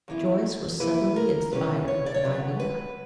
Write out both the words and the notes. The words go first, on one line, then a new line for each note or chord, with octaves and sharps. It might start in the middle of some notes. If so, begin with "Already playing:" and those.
Joyce was suddenly inspired with an idea.
F#2 E3 B3 E4
F#2 E3 A#3 E4 B4
A#4
B2 G3 C#4 E4 B4
C#5
D5
C#5
F#2 C#3 F#3 B4
B4